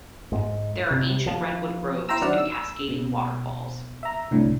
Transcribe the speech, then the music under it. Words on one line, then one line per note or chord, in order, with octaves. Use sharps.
There are ancient redwood groves and cascading waterfalls.
G#2
C3
F3
E4 C5 G5 A#5 E6
D#3 F#3 D4 D5 F#5 F6
E6
B2
E5 A#5
C2 A2 D3